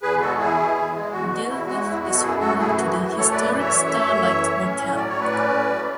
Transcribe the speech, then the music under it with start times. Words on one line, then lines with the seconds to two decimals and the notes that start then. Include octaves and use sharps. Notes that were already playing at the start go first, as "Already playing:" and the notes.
Dilworth is home to the historic Star Lite Motel.
0.02 E2 G#4 B4
0.20 G#3 F#4 A4
0.39 E2 E4 G#4
0.57 B2
0.75 E2
0.94 G#3
1.12 E2 F#4
1.30 B2 F#4
1.49 E2 E4
1.67 G#3 F#4
1.85 E2 E4
2.03 B2 F#4
2.15 A4
2.21 F#2 E4 G#4
2.40 A3 F#4 A4
2.58 F#2 E4 G#4
2.76 E3 F#4
2.90 F#2 E4
3.04 F#4
3.13 A3 A4 C#5
3.31 F#2 B4 D5
3.49 E3 D5
3.59 C#5 E5
3.68 F#2
3.86 A3 C#5 E5
4.04 F#2
4.23 E3
4.41 A2
4.59 C#4
4.78 A2
4.96 F#3 D5
5.08 C#5
5.14 A2
5.20 B4 D5
5.32 C#4
5.51 A2
5.69 F#3